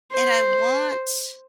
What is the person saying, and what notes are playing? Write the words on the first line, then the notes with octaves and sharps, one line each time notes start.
and I want
C5